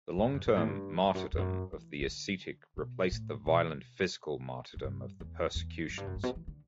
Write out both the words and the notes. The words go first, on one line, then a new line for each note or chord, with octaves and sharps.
The long-term "martyrdom" of the ascetic replaced the violent physical martyrdom of the persecutions.
A2
G2
F#2
F#2
A2
G2
E2
F#2
E2
F#2
E3
E3
D3
B2
A2
B2
F#2
G2
E2
E2
F#2
G2
F#2
G2
B2
E3
D3